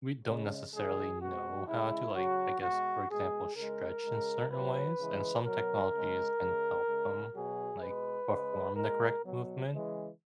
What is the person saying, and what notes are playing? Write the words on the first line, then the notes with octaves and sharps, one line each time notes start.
we don't necessarily know how to, like, I guess, for example, stretch in certain ways, and some technologies can help them, like, perform the correct movement.
C#3 G#3
C#3 E3 G#3 G#4
B2 G#3 F#4
C#3 G#3 E4
C#3 F#3 F#4
B2 G#3 F#4
B2 G#3 G#4
C#3 G#3 A#4
C#3 G#3
A#2 F#3 B4
C#3 E3 G#3
B2 F#3 A#4
C#3 G#3
C#3 G#3
C#3 G#3
B2 F#3 G#4
B2 G#3 B4
C#3 G#3
A#2 G#3 A#4
B2 F#3
C#3 E3 G#3